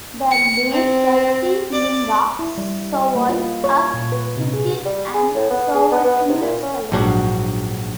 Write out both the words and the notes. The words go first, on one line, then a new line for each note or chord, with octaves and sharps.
The name "Iclinga" survives as "Hickling" and several similar spellings.
C#7
C4
D5
E4
G3
D#5
A#3
F4
C#5
A#2
B4
C3
G#4
G3
G#4
A2
B3
G#4
B3
B3
C3
A#2
C#4
A#1 G#2 F#3 D4 F#4